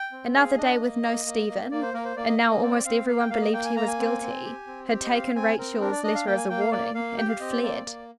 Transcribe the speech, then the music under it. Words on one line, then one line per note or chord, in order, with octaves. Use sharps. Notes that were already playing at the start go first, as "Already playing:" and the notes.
Another day with no Stephen, and now almost every one believed he was guilty, had taken Rachel's letter as a warning and had fled.
Already playing: G5
C4
G#4 F5
D4 D#5
A#3
A#3
A#3
A#3
A#3 D5
C5
A#3 A#4
C5
A#3 D5
D#5
A#3
D#5
C4 D5
C4 F5
A#3 F5
G5
A#3 F5
D#5
A#3 G5
G#5
A#3 A#5
G#5
C4
C4
G4
C4
G4
D#5
C4 F5
C4 G#5
C4 A#4
D4 A#4
D5
D4 D#5
F5
A#3 G5
G#5
A#3 G5
F5
A#3 D5
A#3 F5
G4 G5
F5
C4 D#5
D5
A#3 D5
A#3